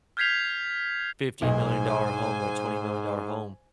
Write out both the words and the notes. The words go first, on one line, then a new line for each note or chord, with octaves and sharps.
fifty-million-dollar home or a twenty-million-dollar home.
F6 G6 G#6 B6 C7 F7
B1 G#2 C5 D#5 G#5